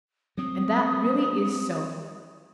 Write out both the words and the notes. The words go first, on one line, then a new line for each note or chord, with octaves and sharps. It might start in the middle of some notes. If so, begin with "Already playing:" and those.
And that really is so.
F#3 C4 D#6